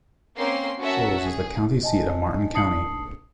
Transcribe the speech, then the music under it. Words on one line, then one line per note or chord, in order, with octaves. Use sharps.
Shoals is the county seat of Martin County.
A#3 C4 C#4 C6 C7
C#4 F#4 A#4 E5 F#5 A5
G#4
D#5 G#5 A5
D4 A5 D#6 C7 C#7 F#7